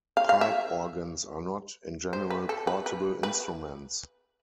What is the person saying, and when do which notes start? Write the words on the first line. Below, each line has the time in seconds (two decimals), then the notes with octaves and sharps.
Pipe organs are not, in general, portable instruments.
0.17 F5
0.29 F5
0.41 E5
2.13 C5
2.30 B4
2.49 A4
2.67 B4
2.86 B4
3.23 B4